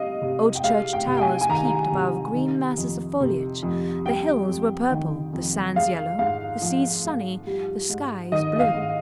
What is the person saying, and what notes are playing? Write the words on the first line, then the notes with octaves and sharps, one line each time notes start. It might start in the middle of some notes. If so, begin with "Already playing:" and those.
Old church towers peeped above green masses of foliage; the hills were purple, the sands yellow, the seas sunny, the skies blue.
Already playing: C3 G3 D#5 F5
C3
G5
G#3 F5
G5
C3
G5
G#5
G#5
D#3 A#5
C3
D#3
F2
C3
F2
G3 G5
F2
D#3 G5
F2
G#3 F5
G#2 F5
F3
G#2
G3
G#2
D#3 D#5
D#5
F5
G#2